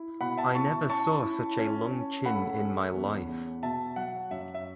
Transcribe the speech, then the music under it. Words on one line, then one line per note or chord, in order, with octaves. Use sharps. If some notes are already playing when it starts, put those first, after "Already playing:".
I never saw such a long chin in my life.
Already playing: E4
B2 F#5 B5
E5 A5
E4 A5 C#6
C#4 A5 C#6
E4
C#4
C#4
A3 F#5 B5
C#4
E2
E2
B2 E5 A5
F#3 F#5
F#2 E5
E5